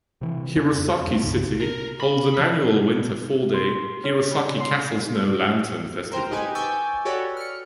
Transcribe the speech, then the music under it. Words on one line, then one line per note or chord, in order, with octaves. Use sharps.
Hirosaki city holds an annual winter four-day "Hirosaki Castle Snow Lantern Festival".
C3 E3
F2 C#3 B3 C#4
F2
E2 A3
C2 G2 C#3
A#4
B5
F3
C6
C#4
C#3
C6
A#4 C5 G5
D#4 G4 B4 G#5
G#5 C#6 D6 E6 G6 A6
F#4 G4 A4 B4 C#5 D5
F6 C#7